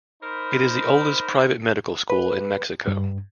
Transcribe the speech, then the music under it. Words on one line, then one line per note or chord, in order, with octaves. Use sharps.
It is the oldest private medical school in Mexico.
D#4 A#4 C5 B5
B4
G2